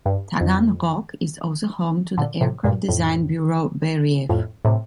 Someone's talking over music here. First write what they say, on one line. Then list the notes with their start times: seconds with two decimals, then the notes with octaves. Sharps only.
Taganrog is also home to the aircraft design bureau Beriev.
0.06 G2
0.41 F2
2.18 A#2 D3
2.41 A2 C3
2.64 G2 A#2
2.88 F2 A2
4.29 F2 A2
4.65 A2 C3